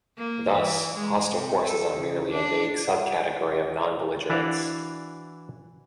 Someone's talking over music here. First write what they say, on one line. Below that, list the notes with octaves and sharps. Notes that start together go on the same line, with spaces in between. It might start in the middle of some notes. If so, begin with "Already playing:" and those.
Thus, hostile forces are merely a vague sub-category of non-belligerence.
A#3
E3
G#3
C3
A4
C#3
D4
F#5
E3 D4 E4 F#4 D5 F5